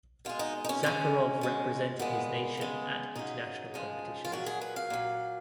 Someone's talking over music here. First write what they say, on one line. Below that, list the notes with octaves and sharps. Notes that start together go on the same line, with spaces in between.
Zakharov represented his nation at international competitions.
B2 G#3 F4
D#4
D#4
C#4
C#3 G#3 C#4
B2 G#3
A#2 G#3 B3
C#3 G#3
C#3 F#3 D#4
C#3 F3 G#3
F4
A#2 F#3 F#4
G#4
B4
F5
A#2 F#3